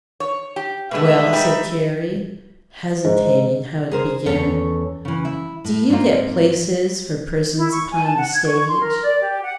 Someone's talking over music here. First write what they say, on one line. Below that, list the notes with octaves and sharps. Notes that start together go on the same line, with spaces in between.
"Well," said Carrie, hesitating how to begin, "do you get places for persons upon the stage?"
C#5
G4
B2 D3 G#3 A3 B4 E5
G3 D#4 G4
G#2
G#4 A#4 C5
E2 C#4 A4 C#5
C#3 E3
E4
A2
G#2 A#3 C4 D#4 F4
E4
C#6
G#5
A5
F#5
G#6
C#6
C6
A#4
D5
G4
F#5